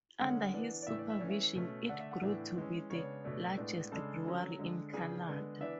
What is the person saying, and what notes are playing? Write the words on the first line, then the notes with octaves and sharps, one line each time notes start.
Under his supervision, it grew to be the largest brewery in Canada.
D3 G#3 C#4 F#5
E3 B3 D4
D5
A2 E3 A3 D4 E5
D5
E5
E3 A3 C#4 D5
E5
B2 A3 C#4
D3 A3 D4 F#5
E5
F#5
A2 E3 B3 D4 E5
E3 G#3 C#4
C#3 G#3 B3 D4 C#5
B2 A3 D4
A2 G#3 B3 D4
C#3 G#3 D4 A4
D3 F#3 C#4
D3 G#3 D4
C#3 E3 B3 D4 G#4
D3 G#3 B3 D4
E3 B3 D4 E5